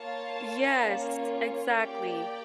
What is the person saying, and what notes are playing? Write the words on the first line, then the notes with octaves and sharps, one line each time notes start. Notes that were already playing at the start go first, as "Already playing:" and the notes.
Yes, exactly.
Already playing: A#3 F4 C#5 F5 A5
A#3 C#4 F4 C#5
A#3 G4 D5 G5